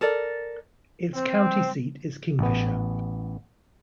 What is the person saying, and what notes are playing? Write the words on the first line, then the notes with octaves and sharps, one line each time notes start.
Its county seat is Kingfisher.
A4 A#4 D5
C4
A1 B3